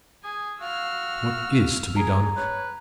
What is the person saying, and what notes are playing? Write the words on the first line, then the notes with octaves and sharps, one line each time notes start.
What is to be done?
G#4 G#5
F#4 F5 E6 F6
G#4 A#5
B4 C#5